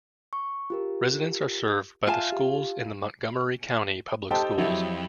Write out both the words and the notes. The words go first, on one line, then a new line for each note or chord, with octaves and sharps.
Residents are served by schools in the Montgomery County Public Schools.
C#6
F4 G4 A#4
F4 E5 G#5 A5
G4
D#4 G4 A4 C5 G5 A5
F2 F#3 E4 G4 G#4